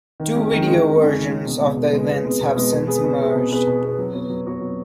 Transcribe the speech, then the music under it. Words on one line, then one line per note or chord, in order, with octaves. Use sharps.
Two video versions of the events have since emerged.
D#3
G#3 C#4
D#3
G#3 C#4
D#3
G#3 C#4
D#3
G#3 C#4
B2
G#3 B3
B2
G#3 B3
B2
G#3 B3
B2
G#3 B3
B2
B3 G#4 B4
B2
B3 G#4 B4
B2
B3 G#4 B4
B2
B3 G#4 B4
F#3
B3 F#4 C#5
F#3
B3 F#4 C#5
F#3